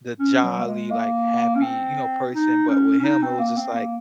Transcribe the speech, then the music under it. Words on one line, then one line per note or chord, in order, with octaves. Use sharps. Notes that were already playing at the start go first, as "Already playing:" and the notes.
the jolly, like, happy, you know, person, but with him, it was just like
C#4
F#3
A#3
G#3
A#3
C#4
C4
D#4
C#4
C#4
D#4
C4
A#3
C4
A#3